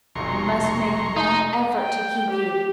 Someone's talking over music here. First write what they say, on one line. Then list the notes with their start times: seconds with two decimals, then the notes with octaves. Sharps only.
I must make one effort to keep you....
0.15 F1 B1 A#5 C6 C#6
1.17 D#4
1.75 G5
2.31 G4